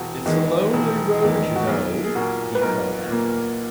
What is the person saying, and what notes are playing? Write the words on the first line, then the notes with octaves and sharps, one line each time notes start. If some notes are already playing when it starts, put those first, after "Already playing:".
"It's a lonely road, you know," he called after me. . . .
Already playing: E1 F#4
E2 D#3 G#3
E1
E2 D#3 G#3
F#4
B1 G#4
G#4
A#2 A#3 F#4
B4
B1 A#4
A#2 A#3